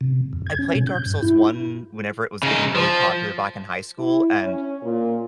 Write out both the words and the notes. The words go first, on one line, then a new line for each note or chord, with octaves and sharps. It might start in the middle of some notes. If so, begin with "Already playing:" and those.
I played Dark Souls one, whenever it was getting really popular back in high school, and,
C3
F2
G#6
C#4
B2
G6
G2
E4
C#3 D#4
F3
E4
C#4
A#2